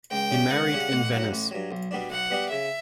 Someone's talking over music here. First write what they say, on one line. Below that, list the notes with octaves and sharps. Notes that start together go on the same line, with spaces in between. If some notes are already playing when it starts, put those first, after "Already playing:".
He married in Venice.
C#2 G5
C#3 G3 C#4
C#2 F#5
C#3 G3 C#4
A1
G2 F#3
A1
G2 F#3
B1
B2 G3 B3 D4
B1 F#5
B2 G3 B3 D4
C#3 E5